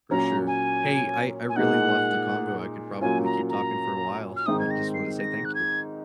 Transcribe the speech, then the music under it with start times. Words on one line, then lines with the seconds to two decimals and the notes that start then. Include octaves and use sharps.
For sure. Hey. I I really love the convo. I could probably keep talking for a while, but just wanted to say thank you.
0.11 A#2 F#3 A#3 C#4 A#5
0.47 G#5
1.49 G#5
1.56 A#2 G#3 D#4 F#5
3.01 A#2 F#3 C#4 F4 G#5
3.25 A#5
3.49 A#5
4.36 F6
4.45 G#2 D#3 G#3 C4 D#4 D#6
4.60 G#6
4.71 A#6
4.94 C7
5.19 A#6
5.45 F#6
5.55 G#6